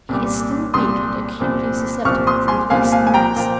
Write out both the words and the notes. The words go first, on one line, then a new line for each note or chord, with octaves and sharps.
He is still weak and acutely susceptible to the least noise.
C2 A#2 G3
C2 A#2 G3 C6 D#6
C2 A#2 F3
C2 A#2 F3 C#6 F6
C6 D#6
G#5 C6
C2 A#2 F3 A#3 F5 G#5
F5 G#5
G#5
G5 A#5
A#2 F3 A#3